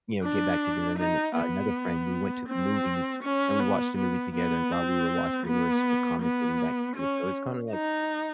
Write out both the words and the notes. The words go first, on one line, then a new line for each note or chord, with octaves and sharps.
you know, get back together, and then another friend, we went to the movies and we watched a movie together and while we were watching it, we were sort of commentating back together. So it's kinda, like,
D4
D#4
B3
C4
C#4
B3
B3
B3
C4
B3
B3
C#4
D#4